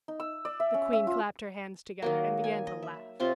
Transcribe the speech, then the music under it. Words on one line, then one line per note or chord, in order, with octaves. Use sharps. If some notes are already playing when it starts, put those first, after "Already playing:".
The queen clapped her hands together, and began to laugh.
D#4
E6
D5
E5
C#4
E5
F4
D#3 F#3 A#3
G#5
D#5
E5
C3 C4 F4 C#5